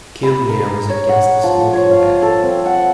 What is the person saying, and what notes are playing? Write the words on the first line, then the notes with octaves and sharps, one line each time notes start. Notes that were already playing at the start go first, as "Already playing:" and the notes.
Kilrea was against the smoking ban.
B5
A#4
C#5
F#5
F3
C#5
F5
A4
C4
F#5